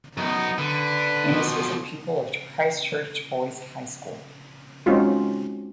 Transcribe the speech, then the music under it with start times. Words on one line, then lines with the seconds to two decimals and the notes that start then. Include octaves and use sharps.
Innes was a pupil of Christchurch Boys' High School.
0.17 F#2 B3 D#4
0.58 D3 B4
1.28 B2 F3
4.86 G#3 C4 C#4 D#4 F4 F#4